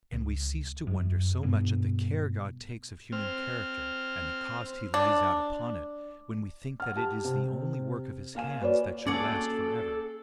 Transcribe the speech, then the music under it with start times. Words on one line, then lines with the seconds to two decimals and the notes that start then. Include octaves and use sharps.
And we cease to wonder so much at the care God takes of human character, and the cost He lays out upon it, when we think that it is the only work of His hands that shall last for ever.
0.13 C#2
0.87 F#2
1.43 G2 B2
3.12 C4 F6
4.94 D4
6.80 F#5 F6
6.96 G4 A5
7.24 C3
8.35 A#3 F5 G#5 E7
8.61 F#4 B4 C#5 D5
9.06 A#3 C#4 F#4 G#4 A4 D5 A5